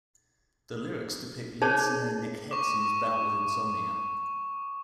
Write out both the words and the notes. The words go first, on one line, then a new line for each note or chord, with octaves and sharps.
The lyrics depict lead singer Nick Hexum's bout with insomnia.
D#4 G#4 C5 C#5 A5
C#6 D6